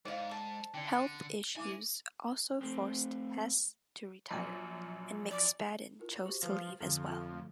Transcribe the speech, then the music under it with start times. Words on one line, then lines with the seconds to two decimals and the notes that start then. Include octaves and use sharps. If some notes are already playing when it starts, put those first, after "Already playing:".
Health issues also forced Hess to retire and McSpadden chose to leave as well.
0.05 G#2 C5 D5 D#5 F5
0.31 A5
0.74 D3 C#4 D5
1.56 G#3 E4 E5 G#5 D6
2.61 A3 C4
4.31 A#1 F#2
5.31 D5
5.99 E4 F4 A#4
6.26 F#4 G4 C5
6.43 F3 B4 C5
6.81 F2 D3
7.07 F4 A4 E5
7.29 F3 A3